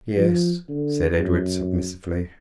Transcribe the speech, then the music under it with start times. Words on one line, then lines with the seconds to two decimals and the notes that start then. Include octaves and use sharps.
"Yes," said Edred submissively.
0.18 F3
0.69 D3
1.19 F#2